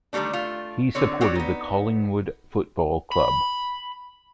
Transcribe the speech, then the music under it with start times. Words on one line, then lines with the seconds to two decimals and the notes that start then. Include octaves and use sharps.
He supported the Collingwood Football Club.
0.13 D3 D#3 G3 A3 D4
0.33 A3 F4
0.95 D3 C4 C#5
1.21 C4 F#4 G4 C#5 D5
1.35 B3 D#4
3.12 B5